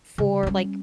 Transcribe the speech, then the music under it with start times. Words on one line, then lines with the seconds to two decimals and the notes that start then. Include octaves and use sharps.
for, like,
0.18 C#3
0.43 G3 C#4